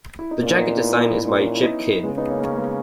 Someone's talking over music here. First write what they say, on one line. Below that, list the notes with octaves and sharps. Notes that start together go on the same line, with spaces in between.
The jacket design is by Chip Kidd.
E4
D#4
A#2 A#3 C#4
B3 D#4
B3 D#4
E4
B3 D#4
E4
A#2 D#4
C#4 E4
E4
B3 D#4
C#3 G#3 B3
B3 D#4
A#3 C#4
A#3 C#4
G#3 B3